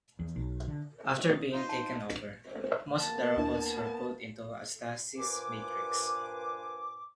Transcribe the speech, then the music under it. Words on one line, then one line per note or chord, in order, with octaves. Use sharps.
After being taken over, most of the robots were put into a stasis matrix.
E2
B1
D3
D#6
D#4 F4 C5
A5
A#3 B3 A5
D#2 D4 E4
G2 A#2 B4 C5 G#5 D6